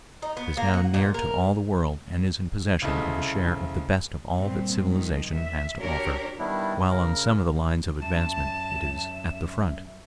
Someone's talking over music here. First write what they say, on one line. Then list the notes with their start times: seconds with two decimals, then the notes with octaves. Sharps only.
It is now near to all the world and is in possession of a share of the best of all that civilization has to offer, while on some of the lines of advancement it is at the front.
0.22 D#4
0.37 B3
0.57 A#3
0.74 F#5
0.94 A#2
1.14 A#4
2.82 C2 C#3 C4 E4 A4 D#5
4.39 G2 A#2 C4
4.91 D#3 F3
5.33 E5
5.79 D4 F#4 G4 A#4 C#5
6.38 D#3 G3 B3 D4 E4
6.91 C#3 A#4
8.02 F#2 E5 A5 E7